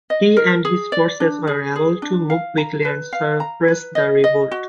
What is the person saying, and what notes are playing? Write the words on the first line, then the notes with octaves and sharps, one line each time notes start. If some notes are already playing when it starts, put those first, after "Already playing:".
He and his forces were able to move quickly and suppress the revolt.
D#5
A#4
G#4
D5
D4
G#4
G#4
D4
F5
A#5
B4
F5
A#5
B4
D#5
D#5
F#4